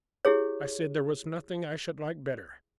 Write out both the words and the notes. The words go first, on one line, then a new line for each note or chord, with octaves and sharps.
I said there was nothing I should like better.
E4 G4 G#4 C#5